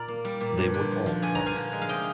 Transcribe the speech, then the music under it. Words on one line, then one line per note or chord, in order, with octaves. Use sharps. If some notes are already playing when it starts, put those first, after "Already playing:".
They would all come.
Already playing: A#2 A#4 D5
A#3
G3
A#2
G2
D3
F3
F3
G2 G#5
F3 A#5
F5 G#5
D3
G#3
F5
C3 D#5 G5